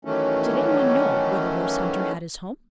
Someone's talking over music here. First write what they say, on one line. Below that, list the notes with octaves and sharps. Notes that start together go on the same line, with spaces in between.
Did any one know where the horse-hunter had his home?
D#3 E3 F#3 A3 C#4